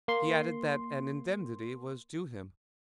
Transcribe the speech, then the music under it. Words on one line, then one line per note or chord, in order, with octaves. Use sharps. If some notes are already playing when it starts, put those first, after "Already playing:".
He added that an indemnity was due him.
A#3 C6